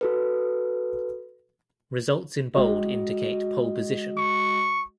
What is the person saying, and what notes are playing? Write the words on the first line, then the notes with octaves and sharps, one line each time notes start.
Results in bold indicate pole position.
F#4 A4 B4
G#3 F#4 D#5
C#6